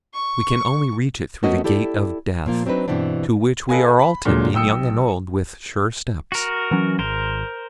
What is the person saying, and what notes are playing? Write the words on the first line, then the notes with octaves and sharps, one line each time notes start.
We can only reach it through the gate of death, to which we are all tending, young and old, with sure steps.'
C#6
A3 B3 C#4 F#4 A#4 D#5
E4 G4 A4 D5
A#2 F3 A#3 F4
F#3 C4 D4 D#4 B4
G2 B2 E3 B3 C4 D4
A4 B4 D#5 F5 G#5
B5
A#2 D3 F#3 G#3
B1 G5 D#6 E6 C#7
F#4 A#4
E3 F#3 C#4
G#1 A#4 C5